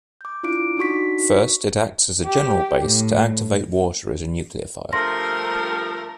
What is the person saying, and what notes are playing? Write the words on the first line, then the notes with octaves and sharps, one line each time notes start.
First it acts as a general base to activate water as a nucleophile.
D6 G6
D4 E4 F4 D6 D7
D4 D#4 F#4 C#6 B6
G4
A2
G2 F3 A3 A#4 C6 A#6